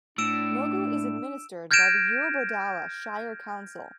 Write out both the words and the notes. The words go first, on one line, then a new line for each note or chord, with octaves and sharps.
Mogo is administered by the Eurobodalla Shire council.
A2 D4 E6 D7 E7
F6 G6 G#6 A#6 D7 E7